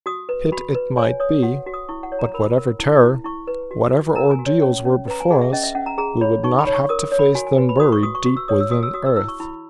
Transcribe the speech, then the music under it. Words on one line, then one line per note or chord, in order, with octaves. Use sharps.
Pit it might be, but whatever terror, whatever ordeals were before us, we would not have to face them buried deep within earth.
F#4 D#6
B4
F#4 B5
B4
C#5 G#5
C#5 D#6
F#4 F#5
F#4
D#6
E4 C#6
F#5
C#5
A#5
A#4 B5
A#4
E4
E4
E4 C#6
B4
F#4
F#4
A#4 A#5
G#5
F#4
C#5
C#4
C#4
B4 A#5
G#5
G#4 F#5
E5
C#4 D#5
E5
C#4 F#5
A#5
G#4 A#5
C#5 B5
D#4 C#6
B5
C#5
C#6
A#4 D#6
C#5
B5
F#4 G#5
G#5
B4
B5
F#4 D#6
C#6
F#4 D#6
C#6
F#4 C#6
E6
C#5 D#6
E6
F#4 D#6
E6
F#4 D#6
E6
E4 E6
C#6
E4 B5